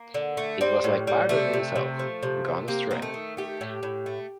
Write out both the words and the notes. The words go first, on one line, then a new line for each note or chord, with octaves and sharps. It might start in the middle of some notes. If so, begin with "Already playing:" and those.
It was like part of himself, gone astray.
Already playing: A#3
D3
A3
G3 C4
A2
G3
C3 A3
C3
C3
F3
C3
A3
C3 A#3
D#3 A#3
A3
D#3
A3 G4
A2
A2
A3